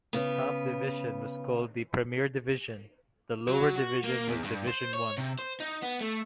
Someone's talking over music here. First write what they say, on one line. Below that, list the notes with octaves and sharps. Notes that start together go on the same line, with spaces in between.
The top division was called the Premier Division, the lower division was Division One.
C#3 B3
F#3
F#4
A#3
E2
G2
C5
C#5
C3
C5
D#4
B3
A3